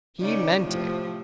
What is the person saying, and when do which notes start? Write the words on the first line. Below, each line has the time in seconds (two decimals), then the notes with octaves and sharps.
He meant it.
0.20 C#3 D#4 D5
0.61 A2 C3 F3